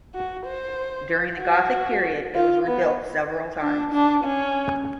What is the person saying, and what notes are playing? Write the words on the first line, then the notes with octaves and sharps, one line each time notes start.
During the Gothic period it was rebuilt several times.
F#4
C5
F#4
F4
B3
D4
D4
C#4